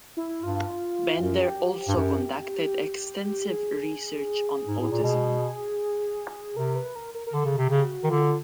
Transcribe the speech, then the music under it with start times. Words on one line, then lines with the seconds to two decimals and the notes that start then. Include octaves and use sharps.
Bender also conducted extensive research on autism.
0.17 E4
0.42 G2 F4
1.19 F#2 F4
1.41 G#4
1.45 G4
1.71 G4
1.88 G2
1.96 F#2 G4
3.50 G#4
4.68 G#2
4.79 A2
4.91 A#2
5.03 B2
6.56 C3 A#4
6.76 B4
6.96 A#4
7.14 A#4
7.27 A#4
7.33 D3 A4
7.45 C#3
7.57 C3 G4
7.70 C#3
7.85 F#4
8.04 D#3
8.10 D3 F4